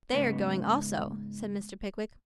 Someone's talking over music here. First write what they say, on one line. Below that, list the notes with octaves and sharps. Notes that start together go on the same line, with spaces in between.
'They are going also,' said Mr. Pickwick.
G#2 C#3 B3